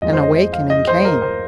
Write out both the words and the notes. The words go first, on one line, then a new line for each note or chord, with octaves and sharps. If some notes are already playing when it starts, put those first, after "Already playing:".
An awakening came.
F2 F3 G#3 D#5
C5
D#5
F5
D#5
C5
A#4
C5